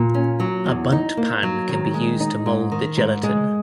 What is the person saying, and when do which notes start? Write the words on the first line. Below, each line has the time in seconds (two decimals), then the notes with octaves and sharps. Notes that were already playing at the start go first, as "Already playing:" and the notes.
A bundt pan can be used to mold the gelatin.
Already playing: A#2
0.14 C#4
0.40 F#3
0.66 E2
0.92 D#4
1.17 A#3
1.43 F#3
1.69 D#3
1.94 G#3
2.20 D#4
2.46 G#2
2.72 D#3
2.97 G#2
3.23 G#3